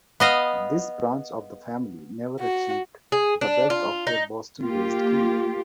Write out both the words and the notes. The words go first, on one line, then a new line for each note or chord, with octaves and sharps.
This branch of the family never achieved the wealth of their Boston-based kin.
B3 D#5 F5
F#4
G#4
D4
F4
D#4
A#3 F4 G4